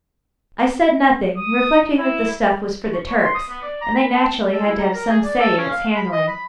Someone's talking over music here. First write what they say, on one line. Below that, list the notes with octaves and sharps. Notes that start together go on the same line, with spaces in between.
I said nothing, reflecting that the stuff was for the Turks and they naturally had to have some say in its handling.
D#6
E4
C#6
C#5
C6
D#6
B3
D5
A#5
B5
A5
A4
E4
A#5
A#4
G#4
D5
A4
C#4
F5
B5
D#5
B5